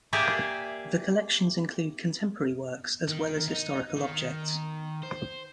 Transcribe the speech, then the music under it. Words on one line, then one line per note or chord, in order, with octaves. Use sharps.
The collections include contemporary works as well as historical objects.
A#3 G4 G#4 D5 E5
D#3
D#4
D#3
C5